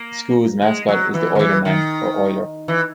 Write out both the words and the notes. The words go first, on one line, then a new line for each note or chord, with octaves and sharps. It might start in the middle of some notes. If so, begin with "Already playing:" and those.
The school's mascot is the "Oiler Man" or "Oiler".
Already playing: A#3
G#3
F#3
E3
D#3
E3
D#3
E3